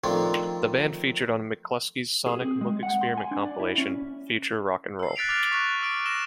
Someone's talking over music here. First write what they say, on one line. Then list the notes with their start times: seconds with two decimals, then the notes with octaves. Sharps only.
The band featured on McClusky's Sonic Mook Experiment compilation "Future Rock and Roll".
0.04 D#3 F3 A3 C4 D4
2.27 G#4
2.42 C4
2.61 G#3
2.83 F#5
3.01 C6
3.17 G#5
3.31 D4
3.45 D5
3.60 E4
3.78 C#4
4.99 E6 C7
5.16 F#6 A6 B6 D7 F7
5.29 D6 F6 A6
5.52 C#6 F#6
5.82 E6 D7
6.06 E6 A#6 E7 G7